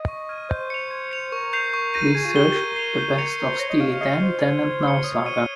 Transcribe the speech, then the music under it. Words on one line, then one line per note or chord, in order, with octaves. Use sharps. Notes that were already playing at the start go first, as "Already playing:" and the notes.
Please search The Best of Steely Dan: Then and Now saga.
Already playing: D#5
C#6
F6 G#6 D#7
C5 G6
C#7 F7
G#6
C#7 F7
A#4 C#6
G6 C7 F7
C#6
G6 A#6 D#7
G#4 G#6
F4
G4 D#7 G7
G4
A#4 G6
C7 F7
G6
A#6 C#7 F7
A#4 C#6
C5
C#5 G6 A#6
D#5
F5 C#6
F5
D#5 F6 C7 D#7 G7
C5 C#6
G#6 C7
G#6
C#7 G7
C#5 D#6
G#6 D#7 G7